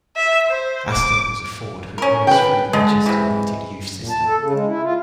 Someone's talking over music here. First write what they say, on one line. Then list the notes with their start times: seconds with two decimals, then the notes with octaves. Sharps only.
Aston was a forward who rose through the Manchester United youth system.
0.16 E5
0.47 C5
0.92 D6
1.98 C#4 A#4
2.27 B4 G5
2.73 D3 G#3
3.06 C3 E3
3.96 A#2
4.10 A5
4.27 A4
4.40 C#3
4.53 G#3
4.67 E4
4.83 F4